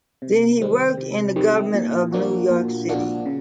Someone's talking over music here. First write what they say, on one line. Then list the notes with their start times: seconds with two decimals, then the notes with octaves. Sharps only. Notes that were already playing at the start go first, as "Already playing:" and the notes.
Then he worked in the government of New York City.
0.22 C3
0.60 D#3 G3 C4
0.97 C3
1.36 D#3 G3 C4
1.74 A#2
2.12 F3 A#3 D4 F#4
2.50 A#2
2.88 F3 A#3 D4 F#4
3.26 C#3